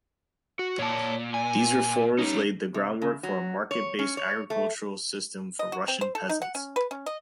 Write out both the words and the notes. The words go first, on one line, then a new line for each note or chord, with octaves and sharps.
These reforms laid the groundwork for a market-based agricultural system for Russian peasants.
F#4
A#2 C#5 A5
G#5
G3 C#4 D#4
C3
C#3
F#3
C#5
C#4
C#5
A3
D#5
F#4
C4
C5
A4
D#4
F#5
C#4
B4
C#4
D#5